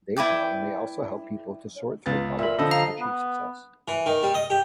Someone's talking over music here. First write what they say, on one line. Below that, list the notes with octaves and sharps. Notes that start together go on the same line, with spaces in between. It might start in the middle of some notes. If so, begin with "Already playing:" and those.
Daydreaming may also help people to sort through problems and achieve success.
E4 B4 D5 G5
C#2 B3 A6
A#2 E5 B5
D3 F3 A4 D#5 B5 E6
F5 A#5
B3
E3
D#3
G3
D#5
G4